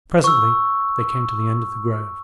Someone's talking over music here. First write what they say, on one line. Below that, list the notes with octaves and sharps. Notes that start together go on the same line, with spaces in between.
Presently they came to the end of the grove.
C#6 E6